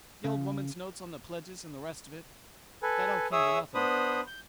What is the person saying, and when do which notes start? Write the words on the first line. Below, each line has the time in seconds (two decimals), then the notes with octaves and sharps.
The old woman's notes on the pledges and the rest of it--that all came to nothing.
0.24 C#3
2.83 A4 B4 G#5
3.32 G#4 C#5 E5 D#6 E6
3.75 B3 D4 C5 B5 D#6
4.27 G6